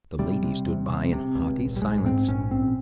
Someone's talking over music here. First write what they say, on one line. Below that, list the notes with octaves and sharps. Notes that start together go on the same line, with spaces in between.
The lady stood by in haughty silence.
C3 G3
C3
C3
C3
C3
C#2
A#1
G3
G#2 G#3
G#2 C4
A#1 C#4
A#1 C4